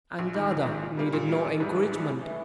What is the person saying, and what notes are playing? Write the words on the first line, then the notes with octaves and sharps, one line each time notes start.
And Dada needed no encouragement.
A#1
G#2 D#3
A#1
G#2 D#3
A#2
G3 A#3
A#2
G3 A#3
A1
G#2 E3 G3
A1
G#2 E3 G3
A2
E3 A3